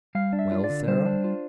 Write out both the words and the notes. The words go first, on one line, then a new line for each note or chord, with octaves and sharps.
"Well, Sarah!"
G3 F5
D4
E5
F4
D5
D3
G3 C5
D4
F4